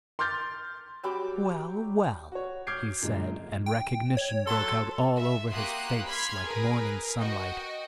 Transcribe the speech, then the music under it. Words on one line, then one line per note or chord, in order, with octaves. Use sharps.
"Well! well!" he said, and recognition broke out all over his face like morning sunlight.
C6 D6 F6 G6 A6
F#3 G3 G5 D6
F#4 C#5
D6 F6 G6 G#6 C7 D7
F#2 A#2 D3 G#3
G5
C#5
F#3 A4 C6
E5
A#3 F#4 G4 C6 D#6 F#6
B5 C6 F6 G#6 B6 C7
G#4 A#4 B4
F#4 D#5 G5